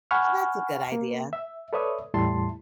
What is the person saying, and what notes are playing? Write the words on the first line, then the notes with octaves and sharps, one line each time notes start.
Oh, that's a good idea.
F#5 G#5 B5 C#6 F6
A#3
E5
A4 B4 C#5 D5 E5 D#6
E2 A2 G3 E4 A5 C6